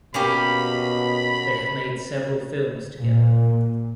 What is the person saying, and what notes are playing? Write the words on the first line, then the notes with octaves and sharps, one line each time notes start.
They have made several films together.
B2 A#3 C#4 G4 B5
A#2